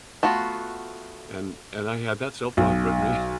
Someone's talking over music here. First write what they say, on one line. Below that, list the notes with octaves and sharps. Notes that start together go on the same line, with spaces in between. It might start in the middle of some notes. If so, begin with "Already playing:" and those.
and and I had that self-talk with me.
A3 B3 F4 F#4
B1